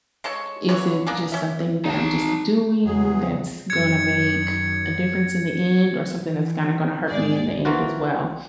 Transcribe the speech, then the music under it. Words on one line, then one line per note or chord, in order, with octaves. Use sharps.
"Is it just something that I'm just doing that's gonna make a difference in the end or something that's kinda gonna hurt me in the end as well?"
G#3 A4 C#5
D3 E3 C#5
A#3 D4 G#4
C#4 E5
D#4 A5
E2 C#3 F#3 G#4
F#2 D#3 G#6 C#7
E3
G#2 G#4 D5
E3 F3 A#3 F4 F#4